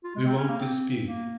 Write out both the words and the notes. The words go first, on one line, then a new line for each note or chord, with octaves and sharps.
We won't dispute.
F4
G#3
C4
C#4
A#3
C4
A#3